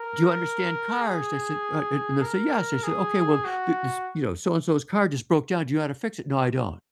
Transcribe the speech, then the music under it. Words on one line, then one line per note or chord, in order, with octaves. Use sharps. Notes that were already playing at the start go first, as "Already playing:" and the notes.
"Do you understand cars?" I said, uh, and they'll say "Yes." I said, "Okay, well, this, you know, so and so's car just broke down. Do you know how to fix it?" "No, I don't."
Already playing: A#4
G#4
A#4
G#4
F#4